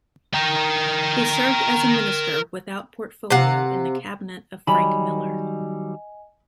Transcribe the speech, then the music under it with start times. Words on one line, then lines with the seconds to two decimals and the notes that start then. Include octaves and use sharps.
He served as a minister without portfolio in the cabinet of Frank Miller.
0.34 A#4 G5
3.30 C3 F5 F#5
4.67 D#3 F#3 G3 D#5 G#5 B5